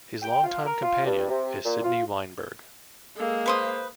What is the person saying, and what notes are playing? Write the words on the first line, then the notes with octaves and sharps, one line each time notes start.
His longtime companion is Sydney Weinberg.
G5
F4
A#4
F4
G2
C3
A#2
F4
G#3 A#3 A4
B4 C5 C6 D#6